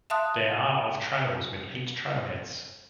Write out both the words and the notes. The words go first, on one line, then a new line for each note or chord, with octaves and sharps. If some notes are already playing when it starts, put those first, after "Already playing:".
There are of trails with eight trailheads.
E5 F5 A5 C6 D#6 F#6